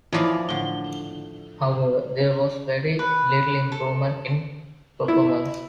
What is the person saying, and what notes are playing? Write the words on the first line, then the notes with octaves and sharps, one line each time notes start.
However, there was very little improvement in performance.
E3 F3 A#3 D#4 E4
A2 D3 G7
B4
A4
E4